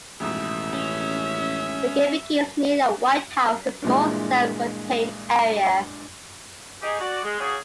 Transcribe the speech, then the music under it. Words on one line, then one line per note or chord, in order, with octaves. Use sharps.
The game begins near a white house in a small, self-contained area.
A1 F2 G#2 B2 E5
C#4
G2 A#2 E3 G#3
D#4 G4 G#4
F#4 D5
G#3
C#3 F#3 G3 F#4 G#4